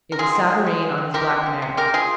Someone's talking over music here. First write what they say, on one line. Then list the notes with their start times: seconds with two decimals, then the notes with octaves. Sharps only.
It was Savareen on his black mare.
0.12 A#4
0.19 G#3 F4 G#4
0.34 D#3
0.50 D#3
0.66 G#3
0.82 G#3
0.98 D#3
1.14 F3 G4 A#4
1.30 C3
1.46 G#3
1.62 C3
1.77 G#3 G4 A#4
1.93 F3 F4 G#4